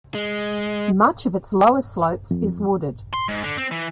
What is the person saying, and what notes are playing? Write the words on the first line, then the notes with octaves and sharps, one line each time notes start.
Much of its lower slopes is wooded.
G#3
F2
C6
G#2
D3
C4
E3